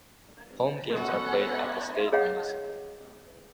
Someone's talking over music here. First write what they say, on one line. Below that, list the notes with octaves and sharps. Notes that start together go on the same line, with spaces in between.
Home games are played at the Stade Municipal.
B3 C#4 F#4 A4 F#5
G#4 C#5 D#5 F5 F#5